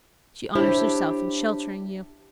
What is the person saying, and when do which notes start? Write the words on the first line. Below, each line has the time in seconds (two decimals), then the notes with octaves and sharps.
She honors herself in sheltering you.
0.55 D4 E4 G4 C5 C#5